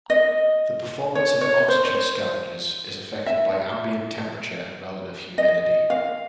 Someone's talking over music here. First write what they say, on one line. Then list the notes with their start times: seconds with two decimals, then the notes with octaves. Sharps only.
The performance of oxygen scavengers is affected by ambient temperature and relative humidity.
0.10 D#5
1.15 C#5
1.41 C#5
1.68 C5
1.85 C#5
1.95 C5
3.26 E5
5.38 D#5
5.90 F5